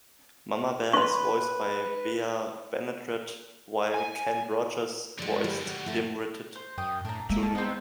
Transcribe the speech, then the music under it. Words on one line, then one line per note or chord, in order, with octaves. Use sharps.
Mama Bear is voiced by Bea Benaderet, while Kent Rogers voiced dim-witted Junior.
B4 C6 C#6
G#5
D3 F#3 G#3 D5
G3
G3 F#4
A3 E4
C5
F#2 G5 D#6
A2 D4 A#5
G#3 A#3 E5
A5
B3 C4 D#4